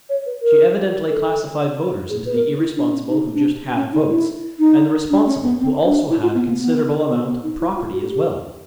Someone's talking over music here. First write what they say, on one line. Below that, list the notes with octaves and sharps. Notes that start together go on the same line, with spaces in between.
She evidently classified voters into the irresponsible who just had votes and the responsible who also had a considerable amount of property as well.
C#5
B4
A#4
A4
G#4
B4
A#4
E4
D4
C#4
D#4
D4
C#4
D#4
E4
D#4
D4
C#4
B3
C4
D4
E4
F4
B3
A#3
B3
B3
B3
D#4
E4
F4
F#4
G4